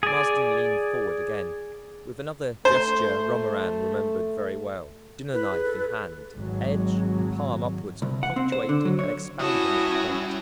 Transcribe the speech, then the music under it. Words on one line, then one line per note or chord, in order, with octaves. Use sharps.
Marsden leaned forward again, with another gesture Romarin remembered very well--dinner knife in hand, edge and palm upwards, punctuating and expounding with the point.
G#4 D5
A3 C5
E4 B4
G#4
A4
G#1 F#3
C2
F#5
C4
C5
D3
F#3
C#5
G3 C#4 E4 F#4 A5 D#6